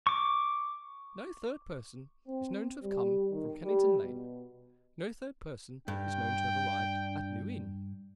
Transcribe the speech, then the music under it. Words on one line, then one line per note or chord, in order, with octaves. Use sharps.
No third person is known to have come from Kennington Lane; no third person is known to have arrived at New Inn.
C#6 D6
C4
G3
D#3
G3
B2
G2 D4 G5